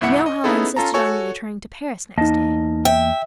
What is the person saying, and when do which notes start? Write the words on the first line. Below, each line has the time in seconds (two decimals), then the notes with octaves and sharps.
You know how I insisted on your returning to Paris next day.
0.01 G1 C2 E4 E5 F#5 C#7
0.26 D#5
0.44 B3 C#4 D#4 E4 G#4 A4
0.76 C#4 F4 A4 A5 A#5
0.94 F#4 A4 C#5 G#5 C#6
2.18 E2 A#3 D#4 D#5 A5
2.85 E5 G5